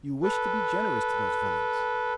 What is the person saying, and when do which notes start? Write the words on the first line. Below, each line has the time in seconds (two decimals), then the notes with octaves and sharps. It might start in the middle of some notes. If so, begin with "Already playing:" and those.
You wish to be generous to those villains!
0.23 A4 B4